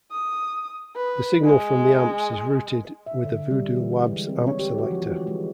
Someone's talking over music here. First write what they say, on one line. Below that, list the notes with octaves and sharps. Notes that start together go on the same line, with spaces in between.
The signal from the amps is routed with a Voodoo Labs Amp Selector.
D#6
B4
G#3
E5
D3
G3
E3
G#3
C4
C#5
G4
F#4
F3
E3
G#3